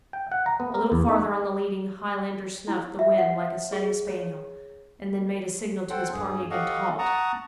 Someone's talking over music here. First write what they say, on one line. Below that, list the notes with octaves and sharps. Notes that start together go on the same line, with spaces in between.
A little farther on the leading Highlander snuffed the wind like a setting spaniel, and then made a signal to his party again to halt.
G5
F#5
A#5
B3
A#4
E2
D#4
E4
E5
F#5
G#4
C#5
A4 C5 F#5 G5
G2 G#4
G4 A4 D#5 F5 F#5 C#6
F#5 A5 A#5 C#6 D#6